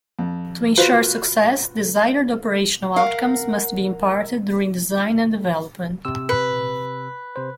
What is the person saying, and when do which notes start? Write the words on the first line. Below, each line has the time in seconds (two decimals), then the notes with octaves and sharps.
To ensure success, desired operational outcomes must be imparted during design and development.
0.19 F2
0.77 F4 F#4 B4 C5
2.96 A#4 F5 F#5
6.05 C3 E6
6.29 B4
7.36 C3 C5